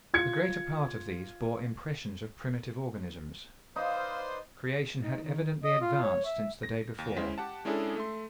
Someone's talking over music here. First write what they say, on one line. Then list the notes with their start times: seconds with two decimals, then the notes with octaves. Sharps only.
The greater part of these bore impressions of primitive organisms. Creation had evidently advanced since the day before.
0.14 F4 G#6 C#7
3.76 D#4 B4 C5 D5 F5 D#6
5.03 D#4
5.23 D#3
5.64 D#5
5.81 F4
6.03 C#5
6.25 E5
6.63 A#6
6.98 D#2
7.17 G#3 C#4 E4 C5 B6
7.38 G4 F#5 A5
7.65 G#3 C#4 D4 E4 G#4 A4
7.96 A3 E5 C6